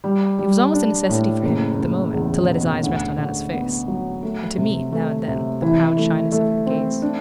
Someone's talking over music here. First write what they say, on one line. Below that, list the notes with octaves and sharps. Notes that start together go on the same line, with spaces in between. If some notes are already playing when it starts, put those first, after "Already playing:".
It was almost a necessity for him, at the moment, to let his eyes rest on Anna's face, and to meet, now and then, the proud shyness of her gaze.
G3
G3
D4
A2
F#1
F#1
E2
B2
D2
D2
B3
F#3
A3
C3
A3
C3
E3
A3
A3
C4
D4